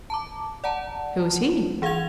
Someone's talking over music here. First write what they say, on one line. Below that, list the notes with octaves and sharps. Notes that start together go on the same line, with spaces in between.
"Who is he?"
A5 A#5 D6
D5 F#5 A5 A#5
E3 G#4 F5 F#5 G#6 F7